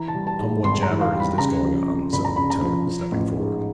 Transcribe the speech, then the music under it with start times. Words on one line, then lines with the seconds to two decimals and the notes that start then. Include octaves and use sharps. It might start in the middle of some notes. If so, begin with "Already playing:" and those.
'Come, what jabber is this going on?' said the lieutenant, stepping forward.
Already playing: E3 A#5
0.08 A5
0.15 G3
0.27 A5
0.39 G#2
0.64 G#1 C6
0.82 A#5
0.89 E3
1.01 F5
1.14 G3
1.20 B5
1.38 C#3 A#5
1.63 F3
1.88 F2
2.13 G1 B5
2.25 A#5
2.36 C#3 B5
2.50 A#5
2.62 F3
2.87 F3
3.12 A1
3.37 G#2